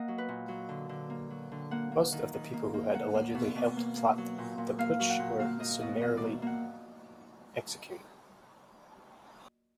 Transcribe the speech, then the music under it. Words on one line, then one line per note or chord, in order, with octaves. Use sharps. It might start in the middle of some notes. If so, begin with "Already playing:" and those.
Most of the people who had allegedly helped plot the putsch were summarily executed.
Already playing: A#3 D#5 F#5
F#3
B4
A#2
F#3
D3
D3
A#3
F#3
D3
A#3 F#5
A#3
D#3
D#3
A#3
A#3
A#3 F#5
A#3
B2
B2
A#3
A#3
F#3
A#2
A#2
A#3 F5
F#3
F#5
A#2
A#3 F5
A#3 D#5
B2 D#5
B2 D#5
A#3 D5
A#3 F#5